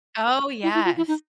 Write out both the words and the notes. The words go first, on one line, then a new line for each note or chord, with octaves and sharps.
Oh, yes.
E4
E4
F4
E4
D#4